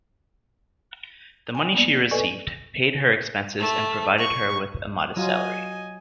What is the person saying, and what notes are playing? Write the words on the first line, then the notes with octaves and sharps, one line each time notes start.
The money she received paid her expenses and provided her with a modest salary.
G5 G#5
A#3 B3 D5
A4 B4 D5 D#5 G#5 C#6
A3
C#6
F#3 F4 D#5 G#5